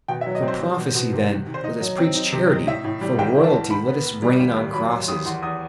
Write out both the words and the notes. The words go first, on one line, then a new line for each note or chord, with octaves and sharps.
For prophecy, then, let us preach charity; for Royalty, let us reign on crosses.
B2 G5
E5
F#3
D#5
C4
C5
G3
B2
B2
C3
D#3
D#3
C5
D#4 D#5
F#3
C4
D#4
C3
D#4
A2 E5
A2
G3
C2 G5
E3
A5
C2
D#3 B5
B3
B3
G3
D#2
D#2
F#3 B5
D#2 C6
D#2 D#6
E2 C6
E2 D#6